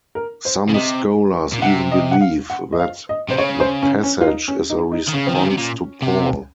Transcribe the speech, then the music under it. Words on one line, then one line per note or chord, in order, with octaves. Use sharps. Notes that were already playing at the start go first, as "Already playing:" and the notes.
Some scholars even believe that the passage is a response to Paul.
A#4
C5
C#3
C3 D#5
A#2
C3 F#5
D#5
F#5
F5
F#5
D#5
F5
D#5
C3 C5
C#3 C#5
C5
C#4
C#4
F4
D#4
C#4
D#4
D#4
D#3
C#3 C#4
F3 C4
D#3
C#3 C#4
C3
A#2
C3